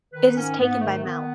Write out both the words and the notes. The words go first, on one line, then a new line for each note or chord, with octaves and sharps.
It is taken by mouth.
D#3 B4
G#2 C#4
G#2 B3
D#3 A3
D#3 B3